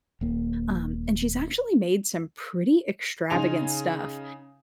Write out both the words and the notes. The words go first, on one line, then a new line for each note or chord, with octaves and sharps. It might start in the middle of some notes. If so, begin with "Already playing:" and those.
Um, and she's actually made some pretty extravagant stuff,
D#1 A#3
C#3 D#4 G#5 C6 F7